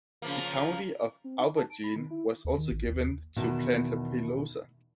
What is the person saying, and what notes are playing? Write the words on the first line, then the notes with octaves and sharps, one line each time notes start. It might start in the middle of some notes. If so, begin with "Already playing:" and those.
The County of Auvergne was also given to Plantapilosa.
C#3 F3 A#3
C4
D#4
A5
D7
B5
D#3
E4
D#2
D#3
A1
D#2
E2 B2 D#3 A5